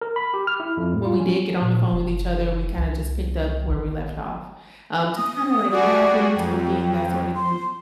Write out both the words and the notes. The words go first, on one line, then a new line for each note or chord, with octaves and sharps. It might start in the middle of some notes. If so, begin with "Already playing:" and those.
when we did get on the phone with each other, we kinda just picked up where we left off. Um, just kinda, like, laughing, talking, that sorta thing.
A#4
B5
G4
F6
E4
F2
A2
F4
C#4
A#2
F#1
C2
G#1
D#6
G3 F#4 G#4 D5
F2 G5
C6